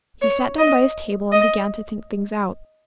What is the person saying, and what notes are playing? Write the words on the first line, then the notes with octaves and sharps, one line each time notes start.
He sat down by his table and began to think things out.
C#5
D#5
D#5